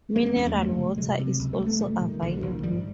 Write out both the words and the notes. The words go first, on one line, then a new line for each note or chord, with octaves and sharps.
Mineral water is also available.
F#1 G#3 A#3
A#3 C4
E2 B3 C#4
G3 A3
F#1
C#3
C3 F#3 G#3
C3
C#2
G3 A3
C#2
A3 B3
A#2 G3 A3
A#2 D#3
A#1 D3 E3
A#1 D#3 F3
G#2 F3 G3